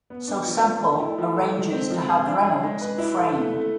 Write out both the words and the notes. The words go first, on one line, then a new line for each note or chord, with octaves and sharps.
So Semple arranges to have Reynolds framed.
B3
D4
F3
F4
A3
E4
F3
A4
G#3
C4
F3
G#4
D4
G#4
G#3
B4
E4
A4
A3
A3